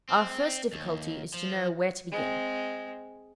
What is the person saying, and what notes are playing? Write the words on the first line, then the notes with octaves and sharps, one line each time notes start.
Our first difficulty is to know where to begin.
C4
D#2
F3
G#3 C4